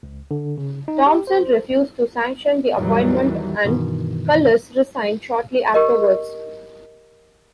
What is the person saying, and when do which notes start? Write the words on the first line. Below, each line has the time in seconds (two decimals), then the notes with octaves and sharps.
Thompson refused to sanction the appointment and Cullis resigned shortly afterwards.
0.03 C#2
0.31 D3
0.58 C#3
0.88 D#4
1.06 G4
1.27 C5
2.74 E2 A2 D#3 E3 F#3 G3
3.65 G2 B2 D#3 E3
5.74 G4 A#4 D#5